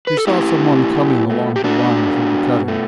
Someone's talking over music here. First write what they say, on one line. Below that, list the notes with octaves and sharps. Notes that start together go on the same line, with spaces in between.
He saw some one coming along the line from the cutting.
B4
A4
A3 E4 G4
B2
B2
A3
G4
A3 D4 F#4
B2
B2
A3